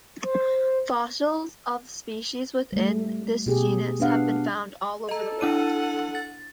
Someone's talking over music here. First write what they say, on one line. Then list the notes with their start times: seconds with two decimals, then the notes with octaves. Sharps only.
Fossils of species within this genus have been found all over the world.
0.23 C5
2.73 G3 A3
3.46 B2 G4 G#4
4.00 B3 D4 F5 F#5
5.09 A4 D#5 A#5
5.41 D4 E4 F#5 D#7
6.15 A6